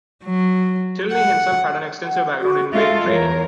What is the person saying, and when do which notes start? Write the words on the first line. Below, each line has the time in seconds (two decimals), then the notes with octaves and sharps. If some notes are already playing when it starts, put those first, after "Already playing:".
Tilney himself had an extensive background in weight training.
0.24 F#3
1.12 F#5
2.05 F#5
2.41 F#4
2.72 G#3 F4 A4 E5
3.07 E2 A#4 C#5